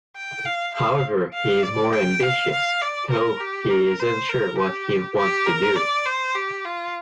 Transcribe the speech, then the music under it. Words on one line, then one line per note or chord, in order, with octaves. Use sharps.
However, he is more ambitious, though he is unsure what he wants to do.
G5
F5
F5
F5
D5
G5
F5
F5
D5
A#4
G4
A#4
C5
A#4
G4
G4
A#4
D5
C5
G4
F4